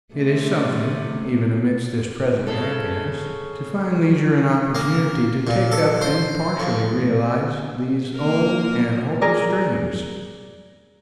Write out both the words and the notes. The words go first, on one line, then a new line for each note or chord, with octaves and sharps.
It is something, even amidst this present happiness, to find leisure and opportunity to take up and partially realize these old and hopeless dreams.
C3 A3
C#3 A4
A#3
A#2
A4
C5
F2
A#3 A#4
G#4 A#4 D5